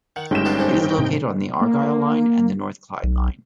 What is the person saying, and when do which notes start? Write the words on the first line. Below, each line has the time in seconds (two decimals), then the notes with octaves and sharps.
It is located on the Argyle Line and the North Clyde Line.
0.16 D#3 F#5
0.31 G1 F#3 G#3 C#4 D#4 G5 E7
0.45 B3 D4 F4
0.58 A#1 F2 D4
0.98 G#2 C3
1.61 A#3
3.04 B1